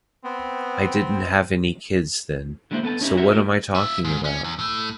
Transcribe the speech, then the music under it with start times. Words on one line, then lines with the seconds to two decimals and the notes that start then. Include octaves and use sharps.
I didn't have any kids then ... so what am I talking about?
0.24 B3 C4
2.71 D3 G3 G#3 A#3 E4 C5
2.83 B3 A4 B4 A5
3.01 C#4 D#4 E4 G4
3.17 F#4 G4 A#4 C#5 E5
3.32 G#3 A3 C#4 D#4 F#4 A#4
3.76 F4 E5
4.05 G#2
4.25 C#4
4.44 E2
4.59 A2 A3